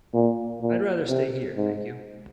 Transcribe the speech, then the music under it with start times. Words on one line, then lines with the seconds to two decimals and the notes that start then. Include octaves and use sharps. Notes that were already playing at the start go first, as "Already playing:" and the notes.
I'd rather stay here, thank you.
0.14 A#2
0.62 A#2
1.09 C3
1.57 G#2